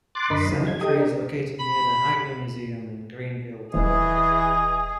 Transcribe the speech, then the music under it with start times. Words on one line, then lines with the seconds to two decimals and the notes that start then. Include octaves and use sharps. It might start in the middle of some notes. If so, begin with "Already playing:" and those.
The cemetery is located near the Hagley Museum in Greenville, Delaware.
0.15 C6 D6 F#6 A6
0.30 F#2 D3 A#4 D#5 B5 C6
0.52 C#3 F#3 D#4
0.67 G#6
0.81 G4 A4 D#5 G5 D#6
0.95 D4 A#4
1.59 B5
3.74 D#1 E3 G#4 D#5